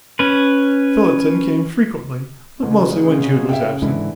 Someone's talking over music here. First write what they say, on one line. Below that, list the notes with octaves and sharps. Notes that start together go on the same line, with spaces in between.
Phillotson came frequently, but mostly when Jude was absent.
C#4 B4
A1 C#3
E5 F5 G5
G#2 D3 E3 E4